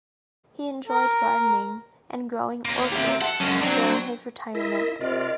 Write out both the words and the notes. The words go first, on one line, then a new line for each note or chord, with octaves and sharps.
He enjoyed gardening and growing orchids during his retirement.
A#4
D#2 A#3
G4 E5
A4 F#5
F#2 G#3 C#4
F#3 C4 D4
E4 A#4 D#5 E5
C3 F4 A#4 D5 D#5